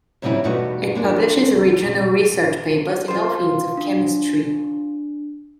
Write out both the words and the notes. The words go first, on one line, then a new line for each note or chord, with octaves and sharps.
It publishes original research papers in all fields of chemistry.
G#2 C#3 F#3 G3 C#4 E4
E2 G2 B2 A3 D#4 F#4
G#3 A#3 D4
F4 C5
D4